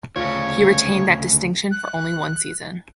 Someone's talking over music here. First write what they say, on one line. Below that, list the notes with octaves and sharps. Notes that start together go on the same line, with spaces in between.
He retained that distinction for only one season.
D2 C#3 F4 C#5
F#6